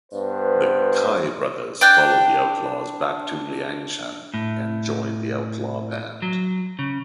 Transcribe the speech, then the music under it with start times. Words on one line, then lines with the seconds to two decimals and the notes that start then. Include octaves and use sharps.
The Cai brothers follow the outlaws back to Liangshan and join the outlaw band.
0.12 G2 B3 C5
1.81 D4 G5 F#6
4.34 A2
6.22 F#3
6.79 C#3